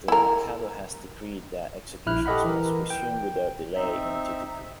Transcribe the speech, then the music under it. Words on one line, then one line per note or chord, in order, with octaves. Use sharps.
The Mikado has decreed that executions must resume without delay in Titipu.
E4 A#4
A#1 E4 F6 F#6
G4 A4 D#5 F#5 B5
E3 A#4
G5
C4 D#4 E5